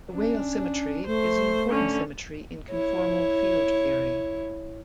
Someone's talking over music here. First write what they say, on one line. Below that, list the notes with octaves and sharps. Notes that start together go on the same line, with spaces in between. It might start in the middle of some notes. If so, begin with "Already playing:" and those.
The Weyl symmetry is an important symmetry in conformal field theory.
C#4 D4
A3 C5
D3 C#4
E4 C#5